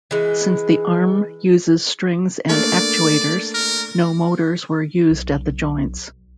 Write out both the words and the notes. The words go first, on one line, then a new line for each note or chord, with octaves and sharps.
Since the arm uses strings and actuators, no motors were used at the joints.
E3 G#3
A3 A#3 D4 D5
A#4
B1